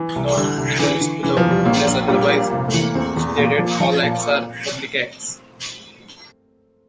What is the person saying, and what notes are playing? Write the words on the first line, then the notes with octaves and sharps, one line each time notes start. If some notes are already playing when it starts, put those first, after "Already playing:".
Note: In the lists below, unless otherwise stated, all Acts are Public Acts.
Already playing: E3
C2
D3 G3
C2
D3 E3
D3
F1 E3
F3
E2
G3
A#1 A#3
A#1
A#2 G3
A#3
F1
A3
E3
A#3
E2 C4
E2
A#2
F3
F3
A#2